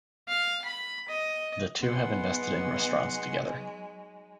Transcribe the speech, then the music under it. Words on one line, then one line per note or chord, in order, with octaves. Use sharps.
The two have invested in restaurants together.
F5
B5
D#5
F#3 G#3 B3 D#4 F#5 C6